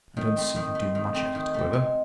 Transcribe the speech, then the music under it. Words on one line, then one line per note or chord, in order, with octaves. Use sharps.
I don't see you do much at it, however.
D#3
A3 C4
D#3
A3 C4
D#3
A3 C4
D#3
A3 C4
G#3